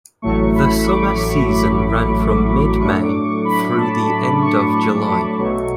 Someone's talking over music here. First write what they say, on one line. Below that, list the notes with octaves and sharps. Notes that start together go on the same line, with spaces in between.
The Summer season ran from mid-May through the end of July.
A1 A2 F#3 A3 C#6
B5
C#6
D6
C#6
C#6
B5
A2 F#3 A3 D4 C#6
D6
C#6
B5
B5
A5
B5
C#6
C#6
B1 B2 F#3 A3